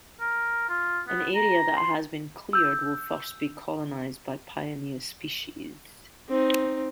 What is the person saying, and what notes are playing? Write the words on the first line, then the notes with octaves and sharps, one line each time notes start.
An area that has been cleared will first be colonized by pioneer species.
A#4
F4
B3
A#5
C6
E6 G6
C4 D#4